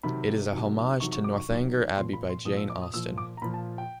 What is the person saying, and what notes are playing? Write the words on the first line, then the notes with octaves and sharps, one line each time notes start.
It is a homage to "Northanger Abbey" by Jane Austen.
C3 D#3 F#3 B5
C3 D#3 F#3
C3 D#3 F#3 C#6
C#6
D6
C#6
C3 D#3 F#3
A#2 F3 C6
B5
C6
A#2 F3 D#6
E6
D6
D#6
A#2 F3 E6
D6
A#5
A#2 F3 B5
A5
G5